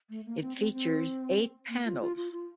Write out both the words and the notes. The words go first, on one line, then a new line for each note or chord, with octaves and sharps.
It features eight panels.
A3
A#3
C4
C4
C4
A#3
F4
F4
F4
F4